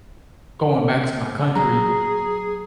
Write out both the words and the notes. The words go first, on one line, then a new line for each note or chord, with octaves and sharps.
going back to my country
F#3 G#4 A#5